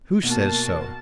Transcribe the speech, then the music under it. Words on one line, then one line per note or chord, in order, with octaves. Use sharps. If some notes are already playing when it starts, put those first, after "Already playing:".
"Who says so?"
B2 A#3 F#4 A5